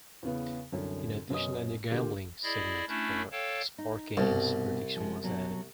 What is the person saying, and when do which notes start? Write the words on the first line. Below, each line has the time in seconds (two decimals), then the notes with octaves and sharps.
In addition a new gambling segment for sport games prediction was added.
0.23 E2 C#3 B3
0.72 C2 F#2 D3
1.30 F#2 B2 C#4 D#5 D#6
1.91 D3 A#3 F4 G4
2.43 E4 G#4 D5 D#5
2.88 A3 C#4 D4 E4
3.32 A4 C#5 F5 G5 A5
3.78 D#4
4.17 C2 G2 B2
4.96 F3 G#3
5.23 B2 F#3